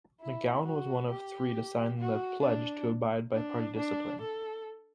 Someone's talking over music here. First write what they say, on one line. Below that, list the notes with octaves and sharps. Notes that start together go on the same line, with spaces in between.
McGowen was one of three to sign the "pledge" to abide by party discipline.
E4
F#4
G4
F#4
D4
D4
D4
A4